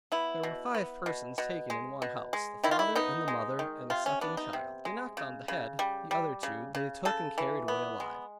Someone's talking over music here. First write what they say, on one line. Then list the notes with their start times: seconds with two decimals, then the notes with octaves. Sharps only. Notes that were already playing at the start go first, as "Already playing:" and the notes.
There were five persons taken in one house; the father, and the mother and a sucking child, they knocked on the head; the other two they took and carried away alive.
0.12 B3 E4
0.43 B2
0.75 B3
1.06 B2
1.38 B2
1.70 G#3
2.02 B2
2.33 G#3
2.63 D#3 E4
2.71 F4
2.79 E4
2.95 B3 D#4
3.28 G#3
3.59 D#3
3.90 C3 F4
4.06 C#4
4.21 B3 D4
4.37 D#4
4.53 C3
4.85 G#3
5.17 C#3
5.48 C#3
5.79 G3
6.11 G3
6.43 C#3
6.75 C#3
7.05 C#3 A4
7.38 E3
7.68 B3
8.00 G#3